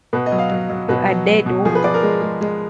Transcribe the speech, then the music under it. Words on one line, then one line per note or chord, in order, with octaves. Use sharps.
You a dead wop.
B2 B4
D#5
F#3
F5
F#3
F#3
B2 B4
F#3
F#3
B2
F3 G#4
B4
F3 D5
A#4
G#3
G#3
G#3